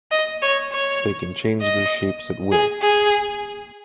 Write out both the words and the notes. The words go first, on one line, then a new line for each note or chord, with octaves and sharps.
They can change their shapes at will.
D#5
C#5
C#5
D#5
G#4
G#4